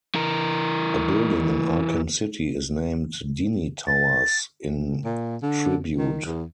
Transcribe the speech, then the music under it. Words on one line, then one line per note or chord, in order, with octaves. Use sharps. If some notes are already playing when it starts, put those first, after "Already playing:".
A building in Arkham City is named Dini Towers in tribute.
E3 A#4
A6
A#2
D3
D#3
E2